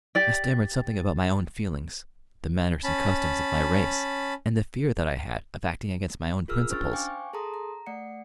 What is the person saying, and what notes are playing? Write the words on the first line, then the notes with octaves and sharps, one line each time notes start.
I stammered something about my own feelings--the manners and customs of my race--and the fear that I had of acting against my own principles.
G4 D5 G5
C#4 A5 B5
F4 G#4 A#4 E6 F6
C#4 D4 C5 C#6 F6 A6
C5 F5 G5 G#5 C#6 D6
G#4 A4 A5 A#5 C6 D#6
A#5
A3 D5 F#5 C#7